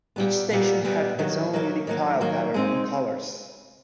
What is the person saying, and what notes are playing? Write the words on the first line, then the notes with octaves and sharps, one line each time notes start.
Each station had its own unique tile pattern and colours.
A#2 G3 B3
A#2 G3 B3
A#2 G3 B3
D#3 F#3 A#3
D#3 F#3 A#3
D#3 F#3 A#3
D#3 F#3 A#3
G#3 C4 D#4